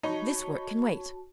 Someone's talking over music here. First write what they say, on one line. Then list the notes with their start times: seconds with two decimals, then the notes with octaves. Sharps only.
'This work can wait.
0.03 D#4 F#4 C#5 A5 B5 C#6